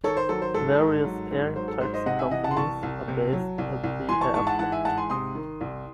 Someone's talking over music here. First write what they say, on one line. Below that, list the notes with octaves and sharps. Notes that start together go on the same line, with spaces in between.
Various air taxi companies are based at the airport.
D#3 A4 C#5
C5
F#3 A4
C5
G#2 A4
G#2
F#3
G#2
F#3 C5
A4
G#2 C5
C5 D#5
C3 D#5 F#5
E5 G#5
E3 D#5 F#5
F#5 A5
C6
C2 A5 C#6
C2
C3
F#3
C2
C2
E3 G#5 C6
A5 C#6
G#2 A5 C#6
F#5 A5
E3 F#5 A5
E5 G#5
G#2 F#5 A5
G#5 C6
C3 C6 D#6
D#3
C2